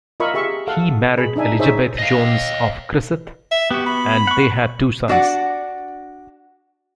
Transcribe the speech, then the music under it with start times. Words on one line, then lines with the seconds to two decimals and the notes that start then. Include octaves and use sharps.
He married Elizabeth Jones of Criccieth, and they had two sons.
0.20 F4 A#4 D#5 E5 B5 C#6
0.34 G4 G#4 E5 C#6
0.67 A4 F5 F#5
1.17 G#4 B5
1.36 D4 D#4 E5 G#5
1.59 D#4 G#4 C5 C#5 E5
1.98 D#5 F5
3.52 E5
3.71 B3 F#4 G4
3.86 B5
4.27 F#5 C#6
5.08 D4 F#4 D5 F#5